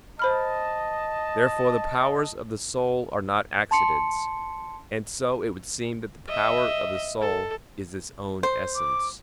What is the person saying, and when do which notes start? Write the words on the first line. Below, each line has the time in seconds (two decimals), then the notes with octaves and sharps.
Therefore the powers of the soul are not accidents; and so it would seem that the power of the soul is its own essence.
0.19 C5 D#5 A5 B5 F6
3.71 A5 C6 C#7
6.28 D#5 E5
7.21 A4
8.43 C5
8.75 D6